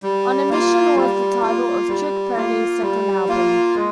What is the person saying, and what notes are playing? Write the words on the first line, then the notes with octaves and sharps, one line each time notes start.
"On a Mission" was the title of Trick Pony's second album.
G3
A#3 F4
G3
A#3 F4
G3
A#3 F4
G3
A#3 F4
G#3